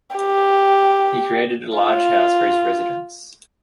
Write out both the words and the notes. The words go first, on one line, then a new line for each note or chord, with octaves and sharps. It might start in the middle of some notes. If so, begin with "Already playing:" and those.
He created a large house for his residence.
G4
F4